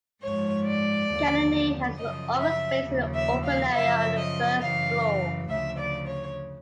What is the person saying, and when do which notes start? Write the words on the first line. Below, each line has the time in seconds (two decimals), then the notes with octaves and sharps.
Giannini had his office space in an open area on the first floor.
0.21 G#2 F3 C#5
0.65 D5
1.09 D#2 D3 F3
1.97 F#2 C#3 F3 D#5
2.41 E5
2.85 D#2 C#3 F3
3.14 E5
3.44 F5
3.72 F#2 C#3 F3 E5
4.16 D#5
4.61 F#2 C#3 E3 F5
5.48 D2 C#3 F3 E5
5.78 D5
6.07 C#5